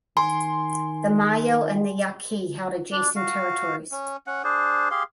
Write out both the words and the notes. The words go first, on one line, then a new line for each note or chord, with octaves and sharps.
The Mayo and the Yaqui held adjacent territories.
D#3 G#5 C6
D4
F#4 F5
C#4
C#4 F#5
D4 G#4 C5
G4 G#4 F5 C6